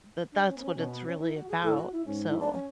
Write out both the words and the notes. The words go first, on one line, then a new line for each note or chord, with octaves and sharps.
that that's what it's really about, so
D4
C#4
B3
C#4
B2 C#4
B3
C#4
E4
F#4
G#4
A2 A4
F#4
E4
G#2 C#4
E4
D4
C#4